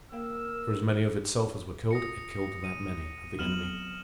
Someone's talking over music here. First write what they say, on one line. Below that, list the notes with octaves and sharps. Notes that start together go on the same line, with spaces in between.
For as many of itself as were killed, it killed that many of the enemy.
A#3 A#4 F5 E6
F4 D#6 A#6 C#7
D#7
F#3 B3 C4 F6 E7 F#7